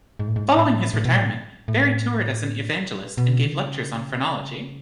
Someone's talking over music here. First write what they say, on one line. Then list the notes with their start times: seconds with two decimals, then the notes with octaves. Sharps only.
Following his retirement, Berry toured as an evangelist and gave lectures on phrenology.
0.19 G#2
0.28 A2
0.36 G#2
0.56 A2
0.94 A2
1.05 B2
1.16 A2
1.68 A2
3.17 B2
3.44 D#3
3.55 C#3